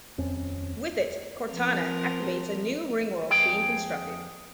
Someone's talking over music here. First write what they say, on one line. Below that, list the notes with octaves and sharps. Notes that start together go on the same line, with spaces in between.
With it, Cortana activates a new ringworld being constructed.
D#1 F2 C4 C#4
F3 C4 A#4
F2 G#4 G5